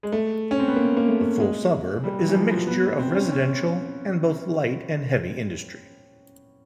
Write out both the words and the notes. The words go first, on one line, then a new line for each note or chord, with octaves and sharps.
The full suburb is a mixture of residential and both light and heavy industry.
G#3
A3
C#4
C4
B3
A#3
A#3
A3
G#3
G3
F#3
E3
F3
F3
B3
B3
C4
C#4
C#4